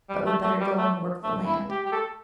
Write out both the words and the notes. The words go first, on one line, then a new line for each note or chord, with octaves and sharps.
But we'd better go and work the land.
G3
A3
A3
G3
A3
A3
E4
G4
G4
A4